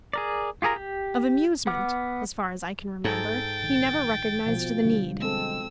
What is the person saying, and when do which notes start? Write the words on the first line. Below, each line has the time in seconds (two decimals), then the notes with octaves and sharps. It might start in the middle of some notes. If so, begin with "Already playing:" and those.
Of amusement, as far as I can remember, he never recognised the need.
0.13 G#4 A#4 D5
0.62 F4 G4 G#4 A#4 A#5
0.76 G4
1.67 B3 F#5 D6 F6
3.05 G#2 A4 G5 A6
3.62 A#1 D#3
4.46 B2 F3
4.85 D3 G3
5.20 G#3 C4 A4 E6